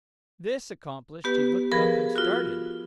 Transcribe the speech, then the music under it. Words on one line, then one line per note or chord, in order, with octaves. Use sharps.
This accomplished, he looked up and started.
B3 G4 B4
F3 G#4 A#4 B4 B5
F4 F#4